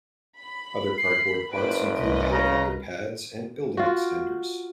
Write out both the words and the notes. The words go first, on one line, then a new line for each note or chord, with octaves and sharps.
Other cardboard parts include helicopter pads and "building extenders".
B5
C7
F#1 B4 C5 D7
C2 B4 D#5
C#3 A#5
F4 F#4